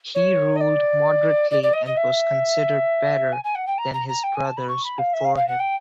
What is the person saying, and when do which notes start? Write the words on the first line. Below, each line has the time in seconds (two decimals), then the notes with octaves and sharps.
He ruled moderately and was considered better than his brothers before him.
0.14 C#5
0.55 D#5
0.60 D5
1.50 D5
1.62 D5
1.73 D#5
1.85 D#5
1.96 E5
3.32 G#5
3.43 G#5
3.54 F#5
3.66 G5
3.77 A#5
3.93 A#5
4.08 A#5
4.23 G5
4.34 G#5
4.45 A5
4.56 B5
4.68 C#6
4.83 B5
4.98 F5
5.13 E5
5.24 F5
5.36 F5
5.47 F#5
5.59 G5